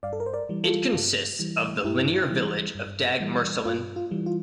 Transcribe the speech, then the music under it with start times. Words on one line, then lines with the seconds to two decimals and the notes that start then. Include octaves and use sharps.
It consists of the linear village of Dagmersellen.
0.03 G2 D5 F5
0.13 A4
0.20 A#4
0.26 C5
0.33 A#4 D5
0.49 E3 G3
0.64 F4 A4
0.94 G2
1.39 E3 G3
1.84 G2 E4 G4
2.30 E3 G3
2.75 G2
3.20 E3 G3
3.65 G2 F4
3.96 F4
4.11 E3 G3
4.26 F4